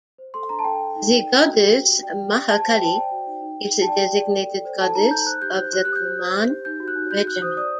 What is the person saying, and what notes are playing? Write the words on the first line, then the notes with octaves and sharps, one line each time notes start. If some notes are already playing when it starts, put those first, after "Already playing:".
The goddess Mahakali is the designated goddess of the Kumaun Regiment.
C5
A4 C6
D4 A#5
A5
A4 G5
A4
D#4
D5 G5
A#4
F#4
G4
G4
D4
D5 G5
G4
G4
C5 A5
A5
C5
G5
C5 A5
D5 G5
F#4
D#4
D#4
D#4
D#4
A5
D5 G5
G4
D5
A4
A4
C5
A4 A5
D#4 A#5
D#4 G6
C5 F#6
G4 G6
C5 G6
G4 F#6
G4 F#6
G6
C5
C5
G4
G4
D#4 G6
F#4
F#6
D#4
F#4 G6
F#4 F#6
C5 D#6
D5 D#6